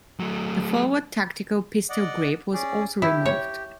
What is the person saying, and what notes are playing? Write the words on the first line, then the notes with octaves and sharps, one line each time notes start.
The forward tactical pistol grip was also removed.
F#3 A3
D5 D#5 F#5
C#4 G#4 D5
E4 G4
C#5